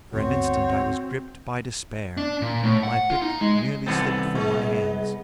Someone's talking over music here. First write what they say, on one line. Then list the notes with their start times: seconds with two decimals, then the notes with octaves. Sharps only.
For an instant I was gripped by despair. My pick nearly slipped from my hands.
0.13 D2 G2 B3 C4 F#4 C#5
2.17 D4
2.41 A#2
2.64 A2
2.83 F#5
3.10 F4
3.22 D#4
3.41 G#3
3.86 C2 D#3 B3 C4 A4
4.35 G#3